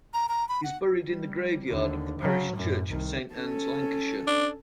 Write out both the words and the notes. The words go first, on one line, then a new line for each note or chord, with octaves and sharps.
He is buried in the graveyard of the Parish Church of Saint Annes, Lancashire.
A#5
A#5
B5
F#5
G3
D#2 D3
C#3 F#3
F#2 A2
C2 D#3
C#4 A4
D4